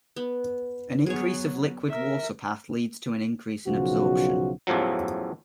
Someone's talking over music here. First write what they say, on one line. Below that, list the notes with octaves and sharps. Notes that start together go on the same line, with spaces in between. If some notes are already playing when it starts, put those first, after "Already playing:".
An increase of liquid water path leads to an increase in absorption.
B3
F#3 B3 G#4 C#5
A#4 E5
B1 C#3 F3 F#4
A1 E2 A2 F3 F#3